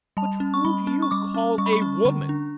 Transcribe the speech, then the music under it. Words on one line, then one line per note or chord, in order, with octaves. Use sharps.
'But who do you call a woman?
G3 A5
C#4
C#6
G3 B5
C#4
C#6
G3 D6
C#4
G3 C#6
B5
C#6
C#4
D3
D4